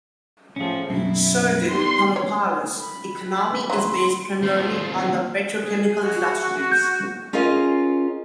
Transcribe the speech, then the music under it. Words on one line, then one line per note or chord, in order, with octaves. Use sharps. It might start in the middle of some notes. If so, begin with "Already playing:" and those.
Southern Tamaulipas' economy is based primarily on the petrochemical industries.
A2 F3 C#4 G#4
F#2 B2 C4 E4
G3 B3 D#4 C6
C#5
B5
F#3 E4 C6
D#2 C4
G#4
F#4
G6
C#4 F4 G#4 A#4 D#5